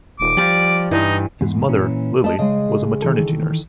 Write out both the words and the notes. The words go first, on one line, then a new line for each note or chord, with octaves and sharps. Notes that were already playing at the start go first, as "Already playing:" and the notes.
His mother, Lily, was a maternity nurse.
D#1 D6
F3 G3 D5
G2 E3 D#4
E2 G#2
A#2 E3 C#4
A3 D#5 A5
C#3 G#3 D#5
D#3 E3 A4